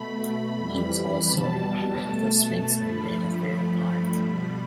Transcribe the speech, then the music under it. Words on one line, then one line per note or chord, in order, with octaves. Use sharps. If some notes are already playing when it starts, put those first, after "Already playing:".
He was also a member of the Sphinx and Beta Theta Pi.
Already playing: B2 A3 B5
F2 E3 G3 B5
B2 G3 A5
B2 A3
G2 F3 A3 B5
G2 F3 A3
B2 G3 B5